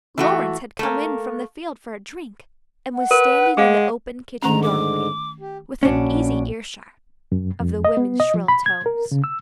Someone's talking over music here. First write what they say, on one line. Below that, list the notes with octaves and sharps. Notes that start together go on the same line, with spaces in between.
Lawrence had come in from the field for a drink, and was standing in the open kitchen doorway, within easy earshot of the women's shrill tones.
E3 A3 F#4
A3 A#3
F#5
A#4 B4
G#3 G#4 F5
G#2 D3 D#3 G#3 A3 C#4 A#5
D6
G4
A#1 C#4 D4 F#4
F#2
F2
D#5
B3
D#5
F3
B5
G#6
A#4
C#3
E6